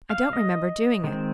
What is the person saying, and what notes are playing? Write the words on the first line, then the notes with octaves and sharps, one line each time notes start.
I don't remember doing it.
F5
D#5
D#3 G#3 C4